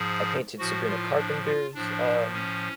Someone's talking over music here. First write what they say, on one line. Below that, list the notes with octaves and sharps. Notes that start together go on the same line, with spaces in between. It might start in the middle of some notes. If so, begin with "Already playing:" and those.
I painted Sabrina Carpenter's, um,
Already playing: G#2 F3 G#4
A2 F3 F#4
F4
D4
F4
A2 F3 D4
C#4